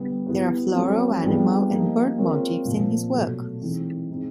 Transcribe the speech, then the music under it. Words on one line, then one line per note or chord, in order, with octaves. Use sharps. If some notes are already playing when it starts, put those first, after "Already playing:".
There are floral, animal, and bird motifs in his works.
Already playing: D3 G3 B3
B3 E4 G4 B4
F#3 A3 C4
G3 B3 D4 F4 G#4
F3 A#3 D#4 G4
G#3 C4 F4 A#4 C#5
A#2 F3 A#3
B2 F#3 A3
E3 G#3 C4 D#4
G#3 C4 D#4